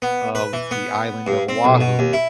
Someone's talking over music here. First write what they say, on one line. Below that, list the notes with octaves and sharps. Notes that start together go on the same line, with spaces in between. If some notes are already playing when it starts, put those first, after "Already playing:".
of the island of Oahu
B3
B4
E3
B3
G2
C4
B1
B2
D#2
E4